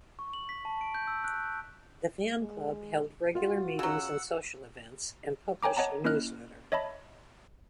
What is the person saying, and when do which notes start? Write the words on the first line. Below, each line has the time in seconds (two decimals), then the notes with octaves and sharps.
The fan club held regular meetings and social events and published a newsletter.
0.19 C#6
0.33 F#7
0.49 B6
0.65 A5
0.81 D7
0.95 G6
1.07 E6
1.24 F#6
2.39 G#3
3.35 F4 F#4
3.79 C#3 F#3 F#5 E6
5.63 C#5 G5 G#5 A#5 D6
5.77 C#5 D#5 F#5 A5 A#5
6.04 A#3 C#4 E4 D#5 F6 F#6
6.72 C#5 D#5 E5 A5 B5